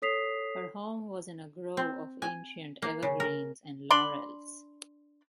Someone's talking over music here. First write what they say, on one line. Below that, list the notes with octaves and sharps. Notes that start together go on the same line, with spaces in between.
Her home was in a grove of ancient evergreens and laurels.
A4 C#5 D#6 B6 C7 F7
C4
G#5
A#3
C#3
A#4
D4 D5 B5 C6